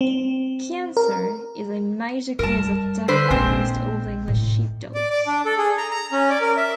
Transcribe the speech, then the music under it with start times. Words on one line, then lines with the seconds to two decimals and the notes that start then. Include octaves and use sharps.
Cancer is a major cause of death amongst Old English Sheepdogs.
0.01 C4
0.97 A#4
2.39 F#2 G3 A#4 A5
3.08 D3 B4 C5
3.30 A#1 G#3 C4 D4
4.28 A2
4.94 D5
5.10 D5
5.27 D4
5.46 A4
5.58 G#4
5.78 A#5
5.91 A#5
6.12 C#4
6.30 D5
6.41 A#4
6.57 E5